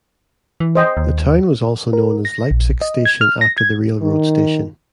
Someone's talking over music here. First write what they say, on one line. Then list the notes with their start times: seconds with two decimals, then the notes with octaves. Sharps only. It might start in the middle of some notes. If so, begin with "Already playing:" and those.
The town was also known as Leipsic Station after the railroad station.
0.60 E3
0.75 C5 D#5 G5
0.97 D#2
1.93 A#4
2.25 A#6
2.51 A#1
2.81 D#5
3.05 G#6
3.21 F6
3.41 A#6
3.58 G#6
4.02 D#3